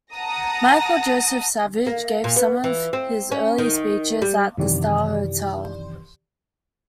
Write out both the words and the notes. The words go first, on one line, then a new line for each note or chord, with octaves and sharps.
Michael Joseph Savage gave some of his early speeches at the Star Hotel.
F#5 A5 A#5 D#6 A#6
A#3
A#2
B3
E3
C4
C#4
D#3
G3
F#2 C3 D#3 E3 G4 D5